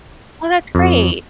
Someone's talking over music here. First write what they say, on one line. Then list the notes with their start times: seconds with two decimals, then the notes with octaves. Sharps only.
Well, that's great.
0.75 F2